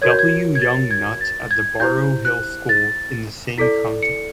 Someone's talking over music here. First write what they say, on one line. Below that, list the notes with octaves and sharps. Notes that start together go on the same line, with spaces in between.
W. Young Nutt at the Burrough Hill school in the same county.
F#4 A#4 C#5 G#6
G6
G#6
G#6
A6
G#6
A6
G#6
E4 G4 C5 G6
F#6
A6
E4 A4 D5 B6
C#7